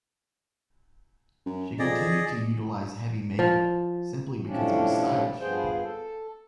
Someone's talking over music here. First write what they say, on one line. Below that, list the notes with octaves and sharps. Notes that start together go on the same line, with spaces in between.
She continued to utilize heavy make-up, simply because it was stylish.
F#2
F2 G#4 D5 D#5
F3
A2 C3 F3 G3 C#4 D4
G2 F3 B3 G#4 C5 G5
A4